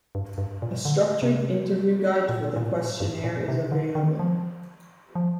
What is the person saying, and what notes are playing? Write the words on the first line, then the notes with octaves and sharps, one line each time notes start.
A structured interview guide for the questionnaire is available.
G2
G2
A#2
D3
C3
A#2
A#2
A2
G2
A#2
C3
D3
D#3
F3
F3